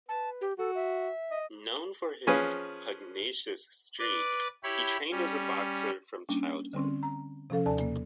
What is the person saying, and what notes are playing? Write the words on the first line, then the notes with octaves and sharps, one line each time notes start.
Known for his "pugnacious streak," he trained as a boxer from childhood.
B4 A5
G4
F#4 A4
E5
D#5
F3 C#4 G#4 B4
B4 D5 D6
E4 G4 C#5 B5
G3 C#4
G3 A#3 C#4 D4
D3 G3 C4 C#4
A#5
C3 F3 C#4 A4 F5
D#2 C3 A4 D5 G#5 A5
B2 A#3